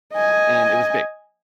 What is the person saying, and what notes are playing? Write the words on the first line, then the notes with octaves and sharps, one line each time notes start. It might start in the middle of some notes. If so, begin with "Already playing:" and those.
and it was big.
D#5 G#5